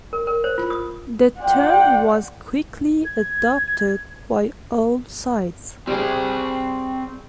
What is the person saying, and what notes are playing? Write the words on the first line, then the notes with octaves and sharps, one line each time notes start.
The term was quickly adopted by all sides.
A#4
A#4
C5
F4
D#6
F4 D5 F#5 G5
G#6
G3 C4 G#4 D5